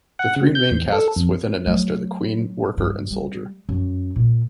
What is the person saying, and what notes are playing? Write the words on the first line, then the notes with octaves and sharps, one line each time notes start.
The three main castes within a nest are the queen, worker and soldier.
F#5
C#3
G6
E2
A4
F2
F#3 A3
G2
G3
F#2
A#2